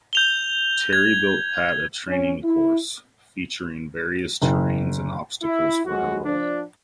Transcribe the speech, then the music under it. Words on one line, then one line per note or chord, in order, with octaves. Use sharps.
Terry built Pat a training course, featuring various terrains and obstacles for her rolling.
G6 F7 G7
G#6
C#4
E4
F#1
E4
F2 F#3 G#3 F#4
F3 D4